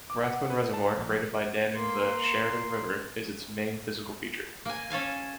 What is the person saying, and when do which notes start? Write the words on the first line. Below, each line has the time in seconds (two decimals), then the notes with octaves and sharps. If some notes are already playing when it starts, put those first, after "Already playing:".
Rathbun Reservoir, created by damming the Chariton River, is its main physical feature.
0.10 D6
0.24 F#5
0.50 B4
0.74 A5
0.97 A#1
1.75 A#3 C6
4.65 A#3 G#5
4.90 C#4 A4 F5 G#5